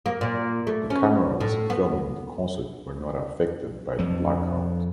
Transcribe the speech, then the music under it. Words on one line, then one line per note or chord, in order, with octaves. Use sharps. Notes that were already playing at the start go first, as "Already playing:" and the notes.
The cameras filming the concert were not affected by the blackout.
A#3
A#2
A3
C#4
A2
B3
F2 F3